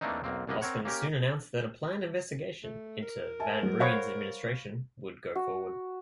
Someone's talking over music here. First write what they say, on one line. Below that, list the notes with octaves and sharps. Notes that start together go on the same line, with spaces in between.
Hoskins soon announced that a planned investigation into van Rooyen's administration would go forward.
E3 A3 A#3 C4 D4 D#4
B1 A#3 C4
C2 F#2 A#3 B4 D#5
C4 A#4 C#5 F#5
A#3 C#4 G4 A#4
A3
A#4
E5 G#5 A5
F#3
C5 C#5 F5 F#5 B5 C#6
F#4